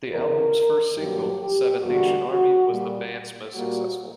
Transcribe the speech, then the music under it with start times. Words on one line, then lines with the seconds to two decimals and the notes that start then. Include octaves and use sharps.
The album's first single, "Seven Nation Army", was the band's most successful.
0.12 E2 C#3 E3 A#4
0.97 G2 F#3 A#3 G4
1.40 G4
1.83 E2 D3 G3 A#3 F#4
2.26 F#4
2.68 A#2 G3 A#3
3.54 A#2 G3 A#3 F#4